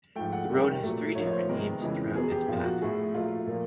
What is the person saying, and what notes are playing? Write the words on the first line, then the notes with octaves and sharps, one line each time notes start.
The road has three different names throughout its path.
G#2 F3 A3 G5
F#5
C3 D#3 G3
A#2 F#3 A3
A2 F3 A#3 C#5
C#5
C5
C3 D#3 G#3 B3 A#4
F2 C#3 E3 G#3
B2 F#3 B3 G#4
G4
A#2 F3 A#3 F4
F#4
A2 F3 A3 G#4
A#2 F#3 A3 F4
A#2 F3 A#3